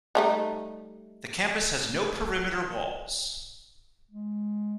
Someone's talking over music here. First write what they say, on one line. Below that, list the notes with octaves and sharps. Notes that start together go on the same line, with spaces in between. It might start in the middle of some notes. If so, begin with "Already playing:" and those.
The campus has no perimeter walls.
G3 A3 D#4
G#3